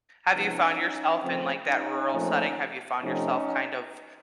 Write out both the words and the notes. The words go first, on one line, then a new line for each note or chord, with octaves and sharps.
Have you found yourself in, like, that rural setting? Have you found yourself kind of,
C3 F3 G#3 B3 C#4 D#4
C#3 F3 A3 C4
C#4 D#4
A#2 F3 A3 C4
C3 F3 A3 C4 C#4 D#4